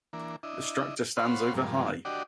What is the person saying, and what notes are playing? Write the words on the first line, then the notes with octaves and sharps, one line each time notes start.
The structure stands over high.
E3 A#3 D4
D4 E4 D#5
C5 C#5 F5 F#5 B5 C6
G2 F3 G#3 A#3
D4 F#4 G4 D5 D#5